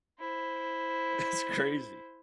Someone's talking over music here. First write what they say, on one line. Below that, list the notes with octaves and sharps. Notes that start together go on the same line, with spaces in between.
That's crazy.
E4 C5